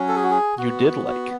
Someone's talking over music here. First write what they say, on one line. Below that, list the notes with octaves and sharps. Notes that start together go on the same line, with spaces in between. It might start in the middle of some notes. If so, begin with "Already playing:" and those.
You did like.
Already playing: F#3 C#4
A4
G#4
F#4
G#4
B3 F#4
F#4